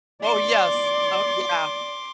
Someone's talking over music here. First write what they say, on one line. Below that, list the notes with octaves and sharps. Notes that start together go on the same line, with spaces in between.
Oh, yes. Oh yeah.
D5 C6 D6